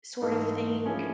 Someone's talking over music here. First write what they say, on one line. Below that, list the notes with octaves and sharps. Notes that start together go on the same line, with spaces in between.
sort of thing
G#2 E3 A3
F3 A#3 C#4 E4 G#4